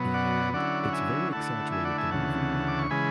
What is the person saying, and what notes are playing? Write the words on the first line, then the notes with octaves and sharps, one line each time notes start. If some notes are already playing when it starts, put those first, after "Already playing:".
and it's very exaggerated. The movie
Already playing: B2 F#3 B3
D5 F#5
D3 F#3 C#4 E4 D5 F#5
F#5
E5 G#5
D3 A3 E4 F#5 A5
E5 G#5
D5 F#5
E5 G#5
D2 C#3 E3 F#5 A5
D6
C#6
C#3 E3 G#3 G#5 B5